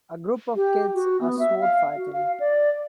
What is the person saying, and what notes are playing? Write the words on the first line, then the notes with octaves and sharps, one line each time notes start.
A group of kids are sword fighting.
G4
F#4
B3
E5
F5
F#4
F5
D5